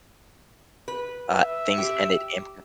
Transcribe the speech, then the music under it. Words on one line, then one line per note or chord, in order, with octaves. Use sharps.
uh, things ended in p
B4
E5
G4